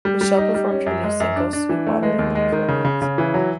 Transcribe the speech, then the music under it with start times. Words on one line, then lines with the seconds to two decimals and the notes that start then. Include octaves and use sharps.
Michelle performed her new single "Sweet Water" in the performance.
0.05 G3
0.21 G3
0.37 D#4
0.54 G3
0.70 C#4
0.86 F#2
1.04 G#3
1.20 F#2
1.36 D4
1.53 D4
1.69 E3
1.87 A3
2.03 G#3
2.19 D#2
2.35 G#3
2.52 D#3
2.68 C#3
2.85 C#3
3.02 C#3
3.18 E3
3.34 F#3